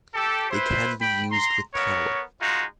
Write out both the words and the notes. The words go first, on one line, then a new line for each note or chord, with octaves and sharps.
They can be used with power.
G4 A4
E4 B4 C5
G5 B5
A#5 C6
B3 A#4 C#5
G#3 D#4 F4 F#4